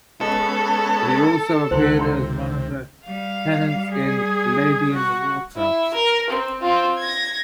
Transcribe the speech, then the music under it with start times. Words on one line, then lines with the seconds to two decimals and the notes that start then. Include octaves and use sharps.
He also appeared as one of the tenants in "Lady in the Water".
0.21 G#3 B3 C#4 A4 D#5
1.71 C#2 D#3 C5 F#5 A#5
1.99 C3 A#5 C6
3.07 G3 F5
3.91 G#4
4.93 F#4
5.56 E4
5.94 A#4
6.30 C4
6.62 C4 F4
6.99 G#6 A#6